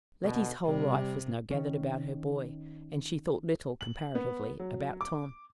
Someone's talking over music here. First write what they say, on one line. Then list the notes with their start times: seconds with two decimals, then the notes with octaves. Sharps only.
Letty's whole life was now gathered about her boy, and she thought little, comparatively, about Tom.
0.22 B2 D3
0.66 C3 G3
1.51 D#3 C#4
3.81 F#7
4.15 B3
4.59 F#3
5.01 D6